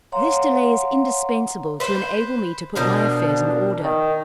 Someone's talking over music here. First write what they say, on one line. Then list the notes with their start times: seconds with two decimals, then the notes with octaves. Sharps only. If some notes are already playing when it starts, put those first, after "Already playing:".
This delay is indispensable to enable me to put my affairs in order.
0.12 C#5 F5 F#5 A#5 C6
1.80 B4 C5
2.75 B2 F3 D4 A#4
3.83 D#3